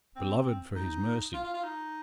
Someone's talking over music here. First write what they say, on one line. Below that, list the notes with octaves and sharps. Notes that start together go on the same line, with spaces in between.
Beloved for his mercy!
C4
D#4
F4
F4
F4
D#4